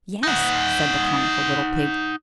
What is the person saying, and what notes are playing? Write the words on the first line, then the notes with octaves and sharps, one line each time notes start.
"Yes," said the comical little pig.
D#4 F#5